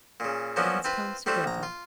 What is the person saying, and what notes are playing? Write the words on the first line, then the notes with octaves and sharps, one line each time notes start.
Hans comes to Grettel.
A#2 C#3
F3 F#3 A#3 B3 C#4 D4
C4 F4 B4
G3 A3 C4 D4 F4
A#1 A#5
F4